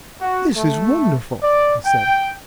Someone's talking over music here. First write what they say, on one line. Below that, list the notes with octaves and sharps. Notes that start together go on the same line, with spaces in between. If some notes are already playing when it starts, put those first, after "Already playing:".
"This is wonderful," I said.
F#4
A3
D5
G5